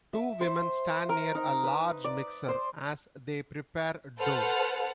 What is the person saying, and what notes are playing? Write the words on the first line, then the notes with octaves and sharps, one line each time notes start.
Two women stand near a large mixer as they prepare dough.
E5
C5
A#4
D#4
B4
D5
C5
A4 B4 C5 F#5 A5 F6